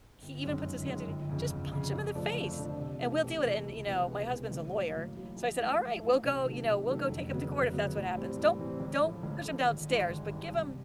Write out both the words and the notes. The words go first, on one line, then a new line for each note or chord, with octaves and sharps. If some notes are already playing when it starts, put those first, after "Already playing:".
he even puts his hands on you, just punch him in the face, and we'll deal with it," and, you know, my husband's a lawyer, so I said, "Alright, we'll go you know, we'll go take him to court, if that's what happens. Don't don't push him downstairs but give him
G1
F#2 D#3 G#3
G1
F#2 D#3 G#3
G1
F2 C#3
G1
F2 C#3
F2
D3 F3 A3 D4
F2
D3 F3 A3 D4
C3
E3 A3
C3
E3 A3
C#2
C3 E3 G#3 B3
C#2
C3 E3 G#3 B3
A1
A2 F#3 A#3
A1
A2 F#3 A#3
A#1
G#2 E3 A3
A#1
G#2 E3 A3
C3
D#3 F#3 A3
C3
D#3 F#3 A3
F1
D#2 C#3 F#3 B3
F1
D#2 C#3 F#3 B3
A2
E3 G3 C4
A2
E3 G3 C4
A1
A2 F3 A3
A1
A2 F3 A3
G#1
G2 E3 G#3
G#1
G2 E3 G#3
C3